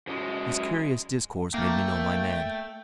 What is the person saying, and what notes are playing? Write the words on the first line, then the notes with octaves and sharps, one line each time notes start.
This curious discourse made me know my man.
F#2 G#3
A3 A#3 G5